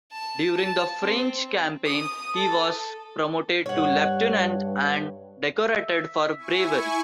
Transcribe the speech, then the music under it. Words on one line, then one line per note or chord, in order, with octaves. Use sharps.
During the French Campaign he was promoted to Leutnant and decorated for bravery.
A5
A5
C4
D#6
A4
G2 C#5 F#5
E5
E4 G#5 C#6